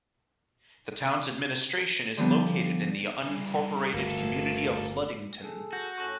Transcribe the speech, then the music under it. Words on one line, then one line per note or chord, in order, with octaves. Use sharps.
The town's administration is located in the unincorporated community of Ludington.
D3 F3 G3 B3
E3 G3 G#3
G1 D2 A#3 G#4 A4
G#4 A4
F#4 G6 A#6
A2 C#4 A4 C#6 F#6 F#7